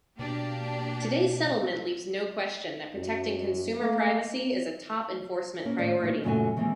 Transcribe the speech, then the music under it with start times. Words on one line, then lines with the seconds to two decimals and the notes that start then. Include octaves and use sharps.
Today's settlement leaves no question that protecting consumer privacy is a top enforcement priority.
0.19 B2 A#3 D4 G4
2.95 F#2
3.80 A3 A#3
5.65 A#3 C#4
5.78 A2 D#3 D5
6.04 F#3 A#3 D#4
6.24 F#2 A#2 C#3 F#3 A3 G#5
6.57 D#3 E3 G#3 A#3 C4